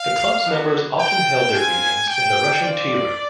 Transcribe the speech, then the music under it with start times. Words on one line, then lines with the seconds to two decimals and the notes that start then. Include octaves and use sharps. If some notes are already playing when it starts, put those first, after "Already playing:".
The club's members often held their meetings in the Russian Tea Room.
Already playing: F5
0.45 B3 D4 F#4
0.99 G5
1.54 C4 F4 G#5
2.08 G5
2.62 C4 F4 D5